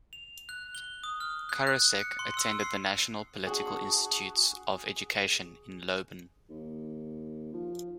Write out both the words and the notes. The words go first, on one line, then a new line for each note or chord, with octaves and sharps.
Karasek attended the National Political Institutes of Education in Loben.
F7
F#6
G7
D#6
F6
F#6
F#6
C#7
C6
E6
C7
D4 F#4 G#4
D#2
F3